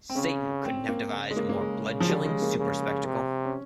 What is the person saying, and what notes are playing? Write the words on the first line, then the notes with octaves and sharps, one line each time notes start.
Satan couldn't have devised a more blood-chilling super-spectacle.
C4
C#3 C#4
C4
A#3
C#3
G#3
A#3
A#3
G#3
F3
G3
G#3
A#3
C#3
C3
C#4